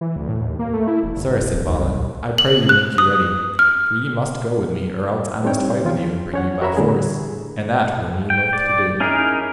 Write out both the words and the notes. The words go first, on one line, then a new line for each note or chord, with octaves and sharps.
Sir, said Balin, I pray you make you ready, for ye must go with me, or else I must fight with you and bring you by force, and that were me loath to do.
E3
D2
A2
D#2
A#3
A3
E4
E1
G1
D1
D#2
C2
F#7
F#6
D#6
F6
G3 C4 D4 D#4 C#5 G5
E2 F3 F4
C#4 C#5 F#5
F#4 A#4 C#5 E5 A#5 B5
E2 A2 D3 G3 G#4
G5
D5
C#4 D#4 E4 G#4 A#4